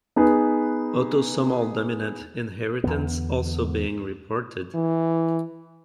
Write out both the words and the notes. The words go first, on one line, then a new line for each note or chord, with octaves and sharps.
Autosomal dominant inheritance also being reported.
B3 D#4 G#4 B4
E2 D3 B3
E3